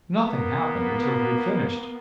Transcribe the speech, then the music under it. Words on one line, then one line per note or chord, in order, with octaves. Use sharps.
Nothing happened until he had finished.
A#3 B3